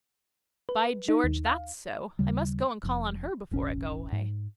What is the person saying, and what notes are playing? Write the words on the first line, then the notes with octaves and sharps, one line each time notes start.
"By George, that's so, I must go and call on her before I go away."
B4
D#4
D#2
F5
D#2 C#3 G3
F1 F2
E1 A1 C#4
G#2